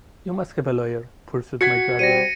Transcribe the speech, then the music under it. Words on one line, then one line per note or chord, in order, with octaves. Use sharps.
"You must have a lawyer," pursued my guardian.
F#4 G#6 B6 C#7
G3 C4 A#6 C#7 D#7